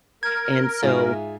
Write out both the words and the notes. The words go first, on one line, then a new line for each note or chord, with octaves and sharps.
and so,
A#4 G#6
G#2 F4 G#4 E5 F5